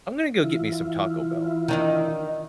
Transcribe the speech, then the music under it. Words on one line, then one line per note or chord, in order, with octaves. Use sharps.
I'm gonna go get me some Taco Bell
E3 E4 F4
D#3 D4 D#4